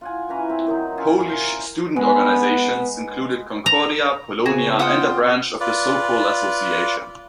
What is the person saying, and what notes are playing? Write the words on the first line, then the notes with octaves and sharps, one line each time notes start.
Polish student organizations included Concordia, Polonia, and a branch of the Sokol association.
F4 F#5 G#5
E3 C#4 B4 A#5
C4 E4
D#3 F#3 D#4
C#4 E4 F4 G#5
A#4 C5 A#5
G#3 B3
A#5
C#3 B3 C4 F#4 G#4
F4 F#5 G5 D#6
F4 B4 D5